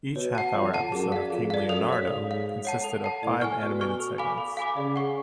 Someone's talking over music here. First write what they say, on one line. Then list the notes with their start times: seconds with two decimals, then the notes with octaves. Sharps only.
Each half-hour episode of "King Leonardo" consisted of five animated segments.
0.15 B2 C#5
0.35 F#5 A5
0.54 F2 C#5
0.74 F#5 A5
0.92 F#2 G#4
1.12 D5 F5
1.30 F2 G#4
1.50 D5 F5
1.69 F#2 A4
1.88 C#5 F5
2.07 G#2 A4
2.27 C#5 F5
2.46 A4
2.65 C#5 F#5 A5
2.84 A4
3.04 C#5 F#5 A5
3.23 A2 D5
3.41 G#5 C#6 F6
3.61 B2 D5
3.81 G#5 C#6 F6
4.00 A4
4.18 F5 G#5 B5 D6
4.38 A4
4.57 F5 G#5 B5 D6
4.76 C#3 D5
4.96 F#5 C#6